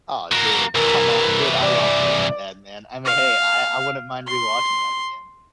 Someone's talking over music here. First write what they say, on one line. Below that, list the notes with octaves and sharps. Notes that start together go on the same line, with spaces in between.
Oh, dude. Come on. Dude, I love Breaking Bad, man. I mean, hey. I I wouldn't mind rewatching that again.
A#3 F#4
C2 E3 A#4
D5
F5
C6